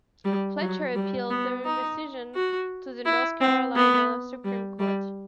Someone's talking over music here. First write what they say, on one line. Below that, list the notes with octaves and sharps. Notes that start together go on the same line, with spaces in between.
Fletcher appealed the recision to the North Carolina Supreme Court.
G3
F#3
G3
B3
D#4
F#4
E4
C4
B3
G3
G3